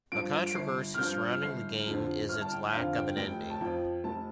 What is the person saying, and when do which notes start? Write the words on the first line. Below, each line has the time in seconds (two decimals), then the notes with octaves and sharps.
A controversy surrounding the game is its lack of an ending.
0.12 G2 F3 D7
0.46 D7
0.54 G1 C7
0.94 F6
0.98 G2 F3 G6
1.42 G1 C7
1.86 F2 D3
2.29 G1 F6
2.41 A5
2.52 G5
2.73 F2 D3 F5
2.95 G5
3.17 F1 G5
3.50 A5
3.61 F2 F3 G5
4.04 F1 A5